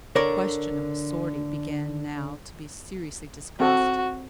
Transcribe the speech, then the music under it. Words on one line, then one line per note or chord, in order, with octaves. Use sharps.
The question of a sortie began now to be seriously discussed.
D3 A#4 C#5 D5
C4 F#4 A4